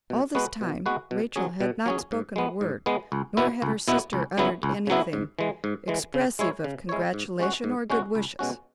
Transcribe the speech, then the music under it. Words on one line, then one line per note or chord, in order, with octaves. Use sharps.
All this time Rachel had not spoken a word, nor had her sister uttered anything expressive of congratulation or good wishes.
B2
G#3 B3 F#4 B4
B2
G#3 B3 F#4 B4
B2
F#3 C#4 G#4
B2
F#3 C#4 G#4
G#2
G#3 B3
G#2
G#3 B3
C#2
B2 B3 E4
C#2
B2 B3 E4
C#2
C#3 F#3 B3 E4
C#2
C#3 F#3 B3 E4
G#2
E3 G#3
G#2
E3 G#3
C#3
G#3 E4 C#5
C#3
G#3 E4 C#5
G#2
G#3 C#4 F#4
G#2
G#3 C#4 F#4
C#2
B2 G#3 C#4 F#4